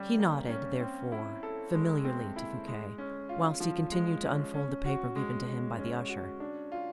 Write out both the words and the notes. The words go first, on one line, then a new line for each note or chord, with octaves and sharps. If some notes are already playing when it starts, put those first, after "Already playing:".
He nodded, therefore, familiarly to Fouquet, whilst he continued to unfold the paper given to him by the usher.
Already playing: G3 C#4
A#3
C#4
C4
E4
A4
G#3
C4
E4
G#3
C#4
F4
F3
G#3
C#4
C#4
F#4
G#3
G#3
C#4
F#4
D4
F4